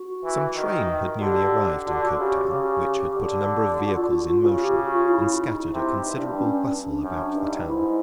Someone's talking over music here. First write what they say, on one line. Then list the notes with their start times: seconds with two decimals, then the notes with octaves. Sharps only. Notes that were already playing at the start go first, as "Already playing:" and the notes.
Some train had newly arrived in Coketown, which had put a number of vehicles in motion, and scattered a considerable bustle about the town.
Already playing: F#4
0.24 E3
0.56 D#3
1.21 D3 G4
1.86 D3 F#4
2.03 F#4
2.18 C#3 G4
2.34 G4
2.50 C#3 G4
3.15 D3
3.79 F#4
3.96 F4
4.11 F#4
4.27 F4
4.43 C#3 F#4
4.60 G4
4.77 F#4
4.92 F4
5.09 E4
5.41 D#4
5.72 C3 E4
5.94 D#4
6.06 G2
6.16 D4
6.38 C#4
6.70 D4
7.02 F#2 D4
7.34 G2 D#4
7.67 G#2 E4